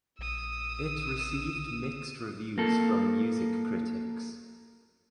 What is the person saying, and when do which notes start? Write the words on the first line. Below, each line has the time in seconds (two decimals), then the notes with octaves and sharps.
It received mixed reviews from music critics.
0.19 A#1 D#6 E6
2.58 A#3 A4